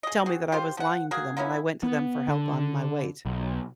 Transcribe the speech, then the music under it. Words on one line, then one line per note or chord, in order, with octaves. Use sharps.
tell me that I was lying to them when I went to them for help on my weight.
G#4 D#5
C4 F#4 G#4
F4 G4 C5
F3 F#5
A#3 F#4 G#4
A#3 B3 C#4 E4
B3
D3
B1